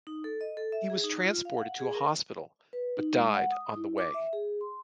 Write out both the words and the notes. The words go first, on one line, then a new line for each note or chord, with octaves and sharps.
He was transported to a hospital, but died on the way.
D#4
A4
D#5
A4
E5
G#4
D#4
F4
F5
F#5
G#4
A#4
B4
D#4
G#3
F#5
D#6
E4
D6
E5
G#4
C6